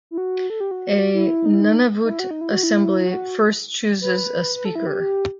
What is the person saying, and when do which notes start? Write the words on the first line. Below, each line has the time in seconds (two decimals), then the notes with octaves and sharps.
A Nunavut Assembly first chooses a Speaker.
0.11 E4
0.18 F#4
0.50 A4
0.60 G4
0.71 F#4
1.14 E4
1.45 D#4
1.54 E4
1.61 D#4
2.04 D#4
2.10 E4
2.19 F#4
2.31 D#4
2.41 E4
2.51 F#4
2.63 E4
3.05 F#4
4.01 B4
4.55 B4
4.65 A4
4.75 E4
4.87 G4